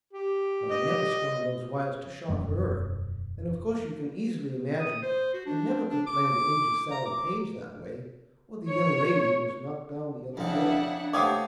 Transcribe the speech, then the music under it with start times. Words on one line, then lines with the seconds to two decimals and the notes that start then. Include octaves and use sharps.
"But I never strung those wires to shock her, and of course you can easily imagine I never could plan to injure Sallie Page that way, or the young lady who was knocked down the other day."
0.13 G4
0.71 D#5
2.29 E1 F#2 G3
4.80 D#6
5.02 C5
5.34 F#4
5.46 D4
5.89 D4
6.07 D6
6.91 A#5
7.06 D6
8.69 C#5
10.37 F2 C#3 D4 E4 F#5
11.13 C3 A3 A#3 C#5 F#5 G5 D6 D#6